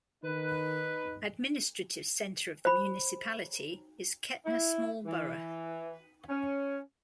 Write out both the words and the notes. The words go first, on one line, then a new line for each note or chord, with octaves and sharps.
Administrative centre of the municipality is Kehtna small borough.
D#3 D#4 B4
C5 B5
E4
E3
C#4